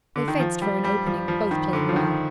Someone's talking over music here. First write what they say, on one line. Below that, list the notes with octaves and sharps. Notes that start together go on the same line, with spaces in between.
They fenced for an opening, both playing well.
D3
D#3
F3
G3
G3
F3
F3
D#3
D3
F3
D#3